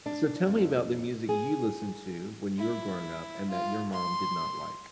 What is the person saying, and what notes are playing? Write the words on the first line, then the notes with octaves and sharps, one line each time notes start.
so, so tell me about the music you listened to when you were growing up and that your mom did not like.
D4
F2
G#4
E4
F4
C6